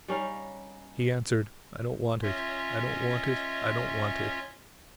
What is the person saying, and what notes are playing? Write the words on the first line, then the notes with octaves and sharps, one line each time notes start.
He answered: "I don't want it; I don't want it; I don't want it."
G3 C#4 D#4 F5
C#4 F4 C#5 D#5 E5